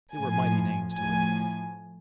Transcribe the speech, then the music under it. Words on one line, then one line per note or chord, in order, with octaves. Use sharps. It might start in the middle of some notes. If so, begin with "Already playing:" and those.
They were mighty names to him.
A2 F3 G#5
A2 F3 G#5